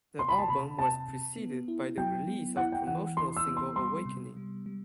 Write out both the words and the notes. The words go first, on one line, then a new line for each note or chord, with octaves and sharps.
The album was preceded by the release of promotional single "Awakening".
C3 C6
B5
A5
C3 B5
C3 A5
C3
B3
E4
F#3 G5
B3
E4 F#5
G5
E3 F#5
E4 C6
E6
B3
C6
G3 C6
C3
G3
G3